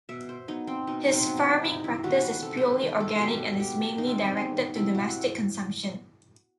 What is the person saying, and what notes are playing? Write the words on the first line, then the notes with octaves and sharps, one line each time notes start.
His farming practice is purely organic and is mainly directed to domestic consumption.
B2 E5
C5
F#3 B3 D#4
C4
B2 D#4
D#4
C4
F#3 B3
D#4
C3 D#4
E4
D#3 G3 B3 F#4
B4
C3 A4
B4 C5
D#3 G3 B3 A4
A4
B2 G4 A4
G3 B3 G4
B2 D#4
C4
C4
G3 B3 D#4
C3 E4
F#4